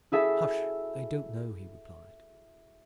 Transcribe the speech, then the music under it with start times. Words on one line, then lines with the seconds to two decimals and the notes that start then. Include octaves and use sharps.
"Hush, they don't know," he replied.
0.12 E4 F#4 G#4 A4 E5 A5